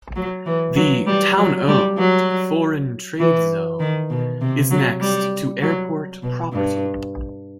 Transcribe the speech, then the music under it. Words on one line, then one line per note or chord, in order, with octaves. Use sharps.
The Town-owned Foreign Trade Zone is next to airport property.
F#3
E3
F#3
G3
F#3
G3
F#3
E3
D#3
B2
C3
F#3
G3
F#3
B2
G2